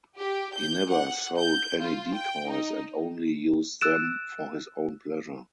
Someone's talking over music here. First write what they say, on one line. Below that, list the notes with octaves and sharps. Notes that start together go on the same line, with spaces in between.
He never sold any decoys and only used them "for his own pleasure".
G4
G6
F#5
G6
F4
G5
D#4
E6 F#6 A6 D7 E7